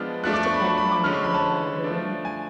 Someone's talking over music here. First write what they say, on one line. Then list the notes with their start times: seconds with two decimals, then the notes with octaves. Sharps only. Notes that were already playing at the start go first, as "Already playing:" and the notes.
just depending on on what I'm doing.
Already playing: F3 G#3 B3 D4 F6
0.24 F3 A3 D4 F#6
0.34 D6
0.44 C#6
0.54 B5
0.65 A5
0.78 B5
0.92 D6
1.04 D3 G#3 C#4 F6
1.14 C#6
1.24 B5
1.34 A5
1.84 F3 A3 D4
2.25 G#5